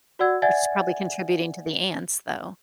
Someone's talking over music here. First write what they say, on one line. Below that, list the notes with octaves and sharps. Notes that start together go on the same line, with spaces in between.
which is probably contributing to the ants, though.
F#4 D5 F#5 E6 G#6
D5 E5 F#5 G#5 G#6 A6